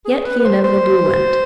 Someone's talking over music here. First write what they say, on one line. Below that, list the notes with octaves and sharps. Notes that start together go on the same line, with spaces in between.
Yet he inevitably went.
G#4
B4
B4
C5
C5